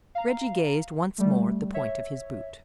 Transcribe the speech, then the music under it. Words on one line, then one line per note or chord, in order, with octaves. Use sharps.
Reggie gazed once more at the point of his boot.
F5 A#5
G3 A3
C#5 E5